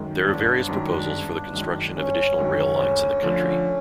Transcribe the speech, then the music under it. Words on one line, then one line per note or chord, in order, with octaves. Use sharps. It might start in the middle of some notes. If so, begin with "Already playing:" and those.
There are various proposals for the construction of additional rail lines in the country.
Already playing: F#2 D#3 G#3
G1 D4
F#2 D#3 G#3
G1
F#2 D#3 G#3
G1 C#4
F#2 D#3 G#3
D2
D3 F3 A3